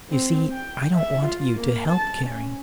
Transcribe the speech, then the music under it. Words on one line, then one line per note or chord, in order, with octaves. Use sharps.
"You see--I don't want you to help caring."
C4
G5
E5
F4
A#3
A5
C#4